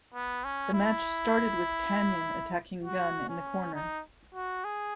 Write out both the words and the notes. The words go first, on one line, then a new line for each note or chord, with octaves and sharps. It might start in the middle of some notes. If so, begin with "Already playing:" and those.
The match started with Kanyon attacking Gunn in the corner.
B3
C#4
E4
F#4
C#4
D#4
F#4
G#4